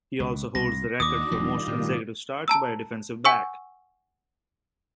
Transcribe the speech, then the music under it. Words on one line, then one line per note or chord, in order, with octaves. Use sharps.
He also holds the record for most consecutive starts by a defensive back.
C#2
C2 A#6
D#2 D4 D#4 F#4 D6 D#6
E1 F2 D#3 F3 G3 F4
A2
A5 A#5 E6
F#5 G#5 C#6 E6